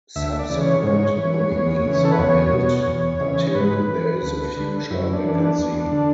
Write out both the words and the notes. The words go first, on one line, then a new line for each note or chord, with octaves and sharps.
Subsequent nominees are held until there is a future vacancy.
D2 E5
D5
C#3 E3
C#5
G#2 C#5
E3
E2
C#3 E3
A4
B4
E2 C#5
B2
E2
C#3 E3
C#5
G#2 B4
E3
D2
D3
F#2 E4
D4
E3
D4
E2
D3